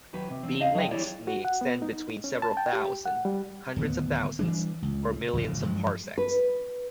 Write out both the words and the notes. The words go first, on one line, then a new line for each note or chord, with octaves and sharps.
Beam lengths may extend between several thousand, hundreds of thousands or millions of parsecs.
D#2 D#3 F#3 B4
C3
E2 C4
D#4 D#5 F5
D3 F#3 G#4 G5
E2 G3 E4 C#5 D5
F#4
F#5
B3
D#4
C#4
A5
G5
G4
F#5
G3
D1 D#2 B3
E3 G3 D4
C#2
D1 A#1 F#2 C#3
G2 F3 F#3 G#3
B4